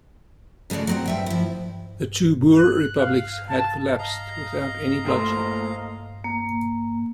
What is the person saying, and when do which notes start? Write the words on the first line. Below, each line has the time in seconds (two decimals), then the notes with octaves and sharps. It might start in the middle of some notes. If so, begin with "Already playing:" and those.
The two Boer republics had collapsed without any bloodshed.
0.70 C#3 G#3 A3 F#4 D5
0.87 F#3 C4 F#5
1.06 G2 E5 G5
1.26 F3 E4
2.58 F#6
3.01 F5
3.49 A5
3.99 D#5 F5 A#5
5.05 A#2 A3 C5
6.24 A#3